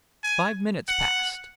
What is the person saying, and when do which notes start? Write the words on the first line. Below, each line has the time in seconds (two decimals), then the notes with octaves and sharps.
Five minutes passed.
0.24 G#5
0.88 F#5